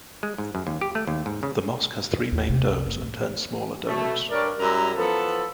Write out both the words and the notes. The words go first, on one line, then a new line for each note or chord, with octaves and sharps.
The mosque has three main domes and ten smaller domes.
G#3
G#2
F#2
D#2
G4
A3
D#2
G#2
C#3
D#2
C3
C2
F#1
A2
B2 A3
G2 A#4 C#5 D5
F#2 G3 E4 A#5
E3 F3 B3 A4